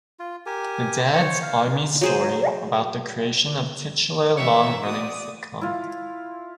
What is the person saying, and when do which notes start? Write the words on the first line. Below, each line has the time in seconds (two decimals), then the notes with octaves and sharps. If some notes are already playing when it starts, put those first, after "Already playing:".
The Dad's Army Story, about the creation of the titular long-running sitcom.
0.19 F4
0.46 G4 A#4 G#5
1.13 C5 C#5 C#6
1.43 F5
2.01 F#3 G#4 C5
4.37 E3 A3 C#5 E5
4.86 F#4 D5 D#6
5.61 E4 F4